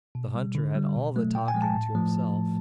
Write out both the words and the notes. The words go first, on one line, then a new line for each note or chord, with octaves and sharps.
The hunter had all the talking to himself.
B2
G3
D3
G3
B2
F#3 A3
A#2 G5
G#5
F3 G#3
A5
A2
F3 A3